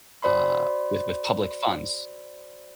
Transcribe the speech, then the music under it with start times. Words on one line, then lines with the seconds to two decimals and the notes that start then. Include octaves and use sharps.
uh, with with public funds.
0.22 F#4 C5 D5 B5 C6